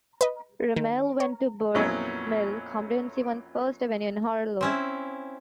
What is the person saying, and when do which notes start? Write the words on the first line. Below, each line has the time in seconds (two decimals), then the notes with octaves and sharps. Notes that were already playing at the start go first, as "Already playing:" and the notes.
Rammell went to Burnt Mill Comprehensive on First Avenue in Harlow.
0.21 B4 D#5
0.76 D#3
1.20 C#5
1.75 F2 A#2 F#3 B3 C#4 E4
4.61 C4 C#4 E4